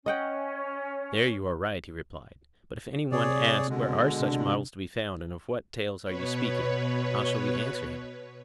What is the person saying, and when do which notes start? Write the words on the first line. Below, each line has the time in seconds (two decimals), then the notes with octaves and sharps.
There you are right, he replied; but if any one asks where are such models to be found and of what tales are you speaking--how shall we answer him?
0.06 C#4 D#5 F#5 G5
3.12 C3 C4 G#4 C#5 D5
3.69 B2 D3 G#3
4.20 C3 D4
6.03 B2 B4 C#5